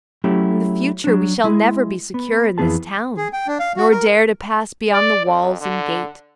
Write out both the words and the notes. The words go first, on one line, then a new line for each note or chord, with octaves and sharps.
In the future we shall never be secure in this town, nor dare to pass beyond the walls and gate.
F#3 A3 C#4 E4 G4
F#3 D4
G#3 E4 G#4
B3
F2 E3 F#3 B3 G#4 A5
G#4
G5
D4
F5
F#4
A#4
D5
F2
D3